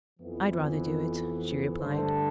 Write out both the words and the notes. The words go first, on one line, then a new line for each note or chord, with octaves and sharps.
"I'd rather do it," she replied.
F2 E3 B3
G2 D3 A3 D4 C5